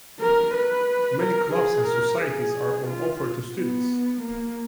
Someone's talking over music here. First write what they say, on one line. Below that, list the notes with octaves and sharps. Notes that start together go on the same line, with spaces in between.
Many clubs and societies are on offer to students.
A#4
B4
A#4
G#4
A#4
G#4
F4
B3
A#3